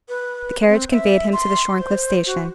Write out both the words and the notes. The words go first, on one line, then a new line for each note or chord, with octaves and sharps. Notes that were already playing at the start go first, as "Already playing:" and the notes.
The carriage conveyed him to the Shorncliffe station.
B4
C4
E5
C6
C5
F#4